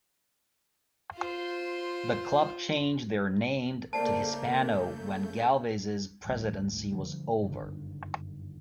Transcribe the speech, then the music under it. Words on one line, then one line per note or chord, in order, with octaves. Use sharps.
The club changed their named to Hispano when Galvez's presidency was over.
F4 C5
C#3 A3 A#3 C5 D5 A5 G6 C7
G#1 D2 G3 A3
D3 F3 G3
F#1 G2 D3 D#3